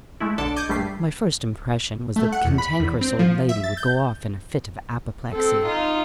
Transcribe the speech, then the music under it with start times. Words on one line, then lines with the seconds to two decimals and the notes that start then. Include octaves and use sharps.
My first impression was that the Cantankerous Old Lady would go off in a fit of apoplexy.
0.20 G#3 A3 E4
0.38 B1 D3 D4 A4 A5 D7
0.56 D#5 D6 G6 G#6
0.69 A#1 G2 G3 A3 B6 C7
2.16 A3
2.32 F#5
2.45 E2
2.58 B5
2.80 E2
3.01 C4
3.19 F3
3.49 E5
3.63 A6
3.77 G6
5.31 C4 A4
5.66 D#4 F4